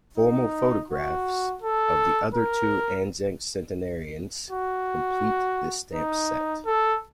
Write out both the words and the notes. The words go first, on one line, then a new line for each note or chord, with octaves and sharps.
Formal photographs of the other two Anzac centenarians complete this stamp set.
D#4
F#4
A4
A#4
F#4
D#4
A4